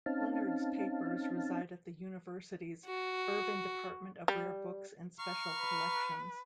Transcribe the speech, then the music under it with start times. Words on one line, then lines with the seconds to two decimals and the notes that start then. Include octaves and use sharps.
Leonard's papers reside at the university's Irvin Department of Rare Books and Special Collections.
0.06 C4 C#4 D#4 F5 A5
2.86 F#4
4.28 G3
5.19 F5 A#5 C#6
5.58 B4